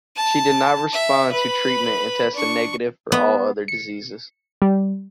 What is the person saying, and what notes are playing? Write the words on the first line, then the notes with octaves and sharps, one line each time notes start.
She did not respond to treatment and tested negative for all other diseases.
A5
E5
B4 B5
D4 C#6
B3
C#7
G3